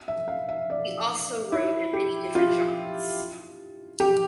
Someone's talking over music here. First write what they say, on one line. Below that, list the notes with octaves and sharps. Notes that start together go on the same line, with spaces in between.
He also wrote in many different genres.
E5
F5
E5
D5
E4
G4
F4
G4